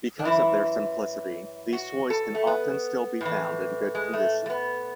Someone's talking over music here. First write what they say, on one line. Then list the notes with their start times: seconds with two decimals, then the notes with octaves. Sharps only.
Because of their simplicity these toys can often still be found in good condition.
0.19 D4
0.25 F#2 E3 E4
1.73 F#4
2.10 A4
2.35 A3
2.47 B3
3.21 A2 E3
3.95 G#3
4.13 A3
4.46 A3
4.50 B3